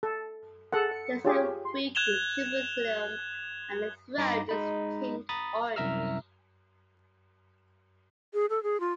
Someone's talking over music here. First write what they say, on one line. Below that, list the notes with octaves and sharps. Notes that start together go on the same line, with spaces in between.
There is a weak supercilium, and the throat is tinged orange.
A4
G#4 A4 F#5
C#7
F4 G4 G#4 C#5
C6
F#6 G#6 E7 F7 G7
G2 D#4 A#5 B5 D6 A#6
G#3 D#4 B5
A#5 B5 D#6 A6
C2 F#2 E5 A#5 E6 F6
G#4
A4
G#4
F4